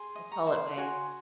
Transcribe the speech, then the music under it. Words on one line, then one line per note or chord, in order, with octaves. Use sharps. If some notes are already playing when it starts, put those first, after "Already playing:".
I call it my
Already playing: G#4 G#5 C6
D#5
A#5 C#6
C5
F#4 G#5 C6